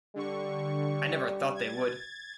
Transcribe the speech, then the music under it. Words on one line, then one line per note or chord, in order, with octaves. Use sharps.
I never thought they would.
D3 G3 C#6
G#6 A6